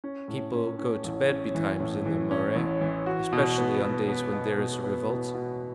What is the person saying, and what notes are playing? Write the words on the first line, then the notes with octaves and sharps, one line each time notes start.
People go to bed betimes in the Marais, especially on days when there is a revolt.
C#4
A2
C#4
C#4
A1
C#4
E3
A2
E3
C#4
A1
E3
F#4
B2
B3
B2
B3
B2
B2
B3
B2
B2